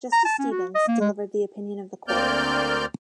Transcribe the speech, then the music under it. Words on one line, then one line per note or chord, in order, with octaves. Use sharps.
Justice Stevens delivered the opinion of the Court.
A#5
A5
C#4
F#4
D#5
A#3
G#3
D2 A#3 C4 D5 F6 G6